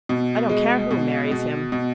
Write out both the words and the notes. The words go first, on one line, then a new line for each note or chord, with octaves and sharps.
I don't care who marries him.
B2
G#3
B2
B2
B2